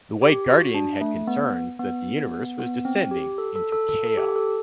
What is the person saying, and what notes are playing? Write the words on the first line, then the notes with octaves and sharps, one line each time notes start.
The White Guardian had concerns that the universe was descending into chaos.
G4
F#4
D4
A3
B3
B3
B3
C4
G4
A4
A4
A4
A4
A4
G4
A4